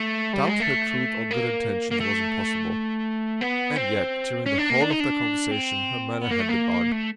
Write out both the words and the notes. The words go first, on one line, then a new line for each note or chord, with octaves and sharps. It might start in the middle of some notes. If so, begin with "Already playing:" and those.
To doubt her truth or good intentions was impossible; and yet, during the whole of their conversation her manner had been odd.
Already playing: A3
G3
G#3
A3
A#3
A#3
A3
B3
C4
C#4
D4
A#3
D4
D#4
D4
C4
B3
A#3
A3
A#3
A3